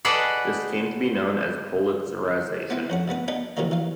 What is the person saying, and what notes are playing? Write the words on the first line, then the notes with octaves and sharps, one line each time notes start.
This came to be known as politzerisation.
F#4 G#4 A4 B4 D5 D#5
B3 C4 E4
F2 C#4 F#5
C2 G2 B3 F#5
B3 D4 B4 D#5 G5
C3 D#3 E3 F#3 G3 A#3
E3 F5